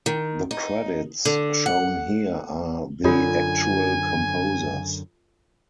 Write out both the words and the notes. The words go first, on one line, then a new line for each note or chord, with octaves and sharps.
The credits shown here are the actual composers.
D#3
D#4
D3
F#5
F#2 D3 F4 A4 C#5 G#5